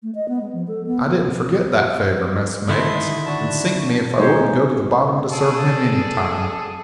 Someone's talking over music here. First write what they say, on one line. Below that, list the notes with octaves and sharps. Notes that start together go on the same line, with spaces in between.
I didn't forget that favor, messmates, and sink me if I wouldn't go to the bottom to serve him any time.
A3
D#5
B3
G#3
F3
A4
B3
B3
D3 D#3 A3 E4 D#5 C6
D4 F#4 A5
G#3 D#4 C5 C#5
G#4 A4 D5